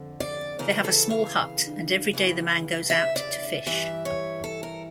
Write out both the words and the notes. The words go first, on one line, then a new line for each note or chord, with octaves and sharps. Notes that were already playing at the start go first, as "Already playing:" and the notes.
They have a small hut, and every day the man goes out to fish.
Already playing: F2 D3
D5
E2 C#3 E3 A#4
A4
F5
E2 C#3 E3
E5
D5
G2 E3 E5
C#5
A4
A#4